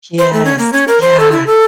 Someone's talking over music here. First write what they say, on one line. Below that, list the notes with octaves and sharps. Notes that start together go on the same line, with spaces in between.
Yes, yeah.
C5
A3
C#4
A#3
C#4
A#4
C5
A4
E4
A4